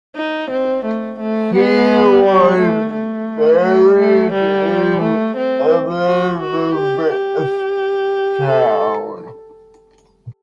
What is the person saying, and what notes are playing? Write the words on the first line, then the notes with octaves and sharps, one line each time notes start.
He was buried in Elizabethtown.
D#4
C4
A3
A3
B3
G3
A3
A3
A3
A3
G3
A3
C4
F#4
F#4
G4
G4
A4